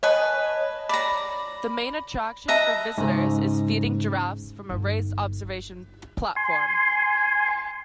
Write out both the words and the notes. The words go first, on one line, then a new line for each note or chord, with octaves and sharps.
The main attraction for visitors is feeding giraffes from a raised observation platform.
B4 C#5 D#5 G#5 A5
D5 A#5 B5
B4 D#5 E5 A5 A#5 E6
G#2 C#3
G1 D#4
G#5 C6